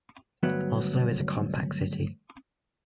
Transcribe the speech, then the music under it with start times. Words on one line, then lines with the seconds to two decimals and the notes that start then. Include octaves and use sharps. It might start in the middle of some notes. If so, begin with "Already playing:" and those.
Oslo is a compact city.
0.43 D2 G2 F#3 B3